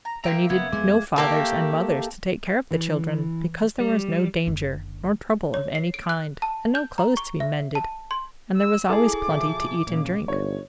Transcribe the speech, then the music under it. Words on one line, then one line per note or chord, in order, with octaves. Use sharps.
There needed no fathers and mothers to take care of the children; because there was no danger, nor trouble of any kind, and no clothes to be mended, and there was always plenty to eat and drink.
A#5
A#3 F4 A#4 E5 G5 A#5
F#1 F#2 B3 G#6
F2 G#3 B3 D6 G#6
A3 A#3 G4
E3
G3
F#1 D3
C#5
C7
D7
F#6
A5
G6
A#5
C#6
E5
A5
C6
E6
E4 G#4 A4 D6
B2 F3 E5
A#2 C#3
G1 D#4 C#5